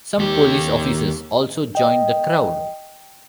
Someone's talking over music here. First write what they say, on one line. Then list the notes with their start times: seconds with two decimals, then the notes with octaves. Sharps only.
Some police officers also joined the crowd.
0.19 D#2 G4
1.75 D#5 G5